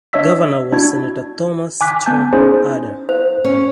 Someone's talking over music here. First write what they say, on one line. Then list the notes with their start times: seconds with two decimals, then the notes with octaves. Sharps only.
Governor was Senator Thomas "Tom" Ada.
0.13 D4 C#5 D#5 E5 E6 B6
0.72 D4 E4 F#4 G#6
1.81 G#5 D6 F#6 B6
2.06 B3 G#5 A5 G6
2.33 C#4 D#4 E4 G#4 C5
3.09 C5
3.45 C#4